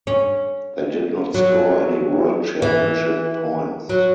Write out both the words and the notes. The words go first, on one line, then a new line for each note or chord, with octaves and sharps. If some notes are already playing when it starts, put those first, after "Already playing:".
They did not score any World Championship points.
C#4
F#3
E3
F#3